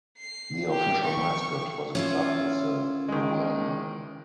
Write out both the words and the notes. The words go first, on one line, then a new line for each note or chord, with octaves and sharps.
The official mascot for the club is the goanna.
C7
G4
C#6
C#4 E4 F4
D#3 G#3